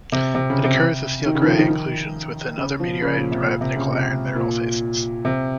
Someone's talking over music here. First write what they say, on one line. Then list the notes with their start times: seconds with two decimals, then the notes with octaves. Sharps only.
It occurs as steel gray inclusions within other meteorite derived nickel iron mineral phases.
0.12 C3
0.35 C3
0.50 C#3
0.64 C3
1.26 D#3
1.35 C#3
1.42 D#3
1.46 F3
1.58 D#3
1.68 D#3
2.58 C#3
2.80 F3
3.02 C#3
3.17 A#2
3.32 C3
3.46 A#2
3.61 C3
3.76 C#3
3.91 C3
4.35 A#2
5.25 C3